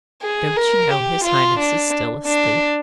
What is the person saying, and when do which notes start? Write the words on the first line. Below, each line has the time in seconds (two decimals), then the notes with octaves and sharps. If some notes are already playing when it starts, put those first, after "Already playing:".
Don't you know his highness is still asleep?'
0.22 G#4
0.56 A#4
0.91 G4
1.24 F4
1.59 D4
2.27 D4